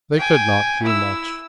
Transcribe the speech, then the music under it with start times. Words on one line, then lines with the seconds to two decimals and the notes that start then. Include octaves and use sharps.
They could not do much.
0.18 G5 G#5
0.83 E4 E6